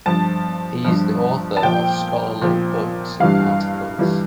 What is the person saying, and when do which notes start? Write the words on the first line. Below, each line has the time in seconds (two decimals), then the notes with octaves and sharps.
He is the author of scholarly books and articles.
0.06 G2 F3 A5
0.85 G2 F3
1.57 A5
1.63 A#2 F3 G5
2.41 A#2 F3
3.20 G2 E3 G3 F5
3.99 E3 G3